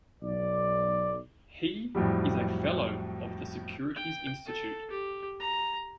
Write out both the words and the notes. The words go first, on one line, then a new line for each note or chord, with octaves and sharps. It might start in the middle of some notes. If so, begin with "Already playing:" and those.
He is a fellow of the Securities Institute.
B1 D5
F2 A2 F#3 G3
G5
A4
G4
A#5